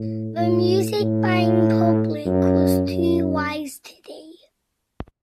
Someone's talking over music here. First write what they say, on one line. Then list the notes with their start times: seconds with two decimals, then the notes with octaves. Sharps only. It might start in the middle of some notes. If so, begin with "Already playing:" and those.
The music buying public is too wise today.
Already playing: A2
0.36 A2
1.00 A2
2.25 F#2
2.88 F#2